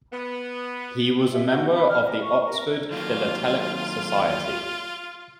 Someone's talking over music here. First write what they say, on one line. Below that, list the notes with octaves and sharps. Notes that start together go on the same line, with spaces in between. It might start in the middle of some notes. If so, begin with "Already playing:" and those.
He was a member of the Oxford Philatelic Society.
B3
E5
F#4
B4
F6
A#4
C#6
A#4
D#3 F#3 A#3 F4